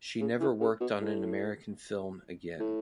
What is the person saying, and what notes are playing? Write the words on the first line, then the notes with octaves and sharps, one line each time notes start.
She never worked on an American film again.
C#3
E3
C#3
B2
A2
A2